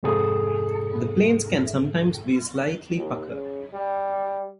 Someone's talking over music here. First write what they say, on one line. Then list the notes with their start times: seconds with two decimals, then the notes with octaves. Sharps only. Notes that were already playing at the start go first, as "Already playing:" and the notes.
The planes can sometimes be slightly puckered.
0.03 F2 G#2 C3 G#4 A4 D#6
2.96 D#2
3.27 C#3
3.73 G3